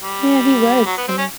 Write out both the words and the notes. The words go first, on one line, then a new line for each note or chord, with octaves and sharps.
Yeah, he was, and
G3
F#3
B3
C4
C#4